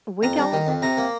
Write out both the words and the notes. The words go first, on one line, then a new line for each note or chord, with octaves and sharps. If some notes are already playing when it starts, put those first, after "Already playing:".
we don't
F2 A#5
G3
D#3
F2
C3 A#5
A#3